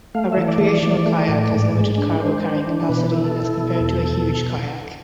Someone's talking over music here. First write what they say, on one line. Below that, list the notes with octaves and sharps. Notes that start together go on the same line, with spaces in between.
A recreational kayak has limited cargo carrying capacity as compared to a huge kayak.
A3 F5
E3 E5
D5
E3
D5
E3
A3
A2
G#2
G#3
D4
D4 C5
D4
E3
B2 B4
E4
A4
E4
B2
E2
B2